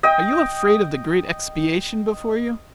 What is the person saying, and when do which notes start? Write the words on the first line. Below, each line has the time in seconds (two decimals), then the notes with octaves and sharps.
Are you afraid of the great expiation before you?
0.03 D#5 G5